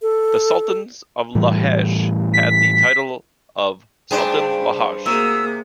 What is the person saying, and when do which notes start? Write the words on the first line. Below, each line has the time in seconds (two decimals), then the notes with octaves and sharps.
The Sultans of Lahej had the title of "Sultan Lahj".
0.02 A4
1.35 A2 E3 G3
2.34 B6
4.11 G2 D4 G#4 C5 G5
5.06 C3 A#3 F#4 G#4 A#4 E6